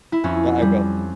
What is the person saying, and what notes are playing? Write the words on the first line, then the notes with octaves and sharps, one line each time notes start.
Yeah I will tha
E4
F2 C#4
G3